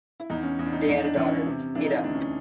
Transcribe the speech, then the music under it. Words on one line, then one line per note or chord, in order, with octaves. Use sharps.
They had a daughter: Itta.
E4
E2 D#4
C#4
E2
D4
D#4
E2 D#4
D4
E3 C#4
C#4
C3
E3 D4
D#4
D4
D2 D4
C#4
D4